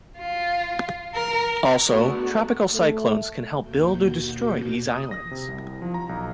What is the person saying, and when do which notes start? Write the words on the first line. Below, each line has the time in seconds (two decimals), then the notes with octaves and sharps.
Also, tropical cyclones can help build or destroy these islands.
0.18 F4
1.15 A#4
1.86 G#3 A3 B3 D4 F#4
2.72 A3
3.59 D#2 B2 A#3 F#4 G6
4.91 D#6
5.11 A#6
5.31 C3
5.48 C2
5.82 F3
5.94 A#5
6.09 B1